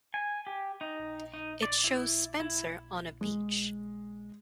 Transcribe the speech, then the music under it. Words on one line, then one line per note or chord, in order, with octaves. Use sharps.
It shows Spencer on a beach.
G#5
G4
D#4
D#4
D5
E4
E4
G#3